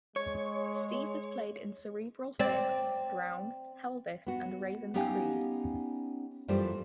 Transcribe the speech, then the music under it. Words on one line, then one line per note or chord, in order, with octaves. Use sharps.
Steve has played in Cerebral Fix, Drown, Helvis and Raven's Creed.
G#3 C#5
C4 D5
B3 F#4
B3 C#4 D#4 G4 F5 G#5
F#2 E3 G3 A3 F4 C5